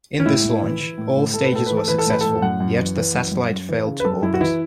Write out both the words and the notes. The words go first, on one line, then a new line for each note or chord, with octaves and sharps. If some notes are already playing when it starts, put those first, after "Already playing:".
In this launch, all stages were successful, yet the satellite failed to orbit.
C#4
A2 E4
A2
E3
E3
A2
A2
A2 A4
B4
A2 A4
E3 B4
A4
E3 B4
A4
A2 B4
A2 A4
F#2 F#5
F#2
E3
E3
F#2
F#2
F#2
E3
C#3
B4
F#2 A4
F#2 E4
F#4
E3 E4